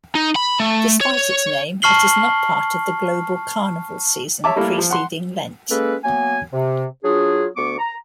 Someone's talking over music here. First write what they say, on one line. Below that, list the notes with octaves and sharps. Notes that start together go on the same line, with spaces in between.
Despite its name, it is not part of the global Carnival season preceding Lent.
D#4
B5
A3
C#5
A5 C#6 F6 C7 F#7 G7
C#5 E5 A5 D6
G3 A3 A#3 E4
F3
F#5 C6
G#3 A#3 C#4 A4 B4
F#3 A#3 B3 G#5
C3
F#3 D4 F4 G#4
D2 B3 C#6 D6
A#5